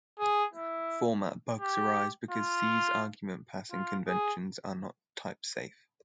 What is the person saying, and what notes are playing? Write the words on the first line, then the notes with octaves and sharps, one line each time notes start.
Format bugs arise because C's argument passing conventions are not type-safe.
G#4
E4
G4
F4
F4
G#4